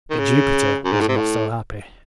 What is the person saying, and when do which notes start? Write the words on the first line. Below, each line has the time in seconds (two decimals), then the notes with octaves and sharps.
But Jupiter was not so happy.
0.10 D#3
0.19 C#3
0.85 F#2
0.93 G#2
1.01 A2
1.09 C3
1.17 A2